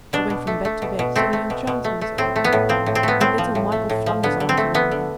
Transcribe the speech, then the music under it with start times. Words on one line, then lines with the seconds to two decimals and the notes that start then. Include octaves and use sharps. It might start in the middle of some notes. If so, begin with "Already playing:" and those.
She went from bed to bed singing enchantments over them, and little Michael flung his arms round her.
0.13 B2 D4
0.30 B2
0.47 A3
0.65 A3
0.82 B2
0.99 B2
1.16 A3 C4
1.33 A3
1.50 B2
1.67 B2
1.84 A3
2.01 A3
2.18 A2 C4
2.36 A3
2.44 B3
2.53 A2
2.69 F3 C4
2.86 A2
2.95 C4
3.03 A3 B3
3.20 A2 C4
3.38 F3
3.55 A2
3.72 A3
3.90 A2
4.06 F3
4.23 D3 B3
4.40 D3
4.49 C4
4.57 A3
4.74 A3 B3
4.91 D3